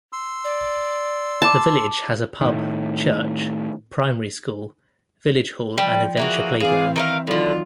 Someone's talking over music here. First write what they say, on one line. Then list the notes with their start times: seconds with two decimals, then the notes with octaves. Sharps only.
The village has a pub, church, primary school, village hall and adventure playground.
0.13 C6 E6
0.44 D5
1.42 A5 B5 D6
2.41 A2 D#3
5.78 F3 G3 G5
6.17 E3 A#3 F#4 G#4
6.60 E3 C4 G#4 D5 F5
6.96 D#3 A#4 E5 F5
7.27 A2 D3 D#3 F#3 F4 D5